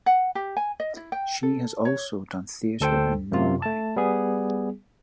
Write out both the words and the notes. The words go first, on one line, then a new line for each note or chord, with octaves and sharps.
She has also done theater in Norway.
F#5
G4
G#5
D#5
E4
G5
A4
C#5
D2 A4 C5 G5
F#2 C3 F4
A3 A5
G3 B3 G#4